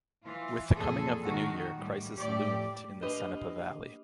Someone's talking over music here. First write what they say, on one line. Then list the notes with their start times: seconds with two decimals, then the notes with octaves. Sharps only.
With the coming of the new year, crisis loomed in the Cenepa valley.
0.24 E3 F4
0.77 F2 A#2 G#4 A4
1.24 D#3 F#4
1.76 A2 G3
2.17 A2 G4 D5
3.03 A#3 D4 G4 B4 D#5